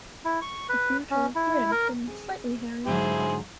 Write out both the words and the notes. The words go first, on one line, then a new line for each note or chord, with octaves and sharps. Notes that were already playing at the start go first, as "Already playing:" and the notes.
The fruit are ribbed and slightly hairy.
E4
C#6
B4
C#4
E4
A#4
C4 G#4
G#2 D3 F#3 E4 G#4 C5